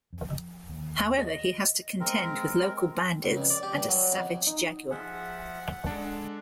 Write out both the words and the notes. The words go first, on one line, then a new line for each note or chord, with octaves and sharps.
However, he has to contend with local bandits and a savage jaguar.
F2
D#2
D#5
G#3 C4 A#4
C#2
F2
D5
G4
G2
F#3
F2
D#4
F3 G#4 E5 F#5
G#3 D4 A4 A5